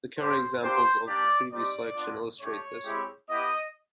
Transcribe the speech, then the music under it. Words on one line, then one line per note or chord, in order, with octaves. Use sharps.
The Curry examples of the previous section illustrate this.
A#3 D4 G4 C5
A#3 D4 G4 C5
A#3 D4 G4 D5
G3 C4 D#4 G4 D5
B3 D4 F4
A3 D4 G4 C#5
G#3 C4 E4 G4
B3 E4 G4 D#5